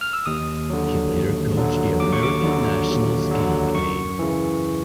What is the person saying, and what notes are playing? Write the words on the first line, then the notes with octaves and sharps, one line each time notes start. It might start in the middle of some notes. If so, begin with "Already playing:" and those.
He later coached the American national skiing team.
F6
E6
D#2 D#6
D3 F#3
D#2
D3 F#3
D#2 D6
C#6
D6
D3 F#3
D#2
D3 F#3
F#2 C#6
C#3 E3